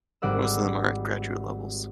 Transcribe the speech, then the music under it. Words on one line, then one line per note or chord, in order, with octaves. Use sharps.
Most of them are at graduate levels.
G#1 G3 D5 F#5 E6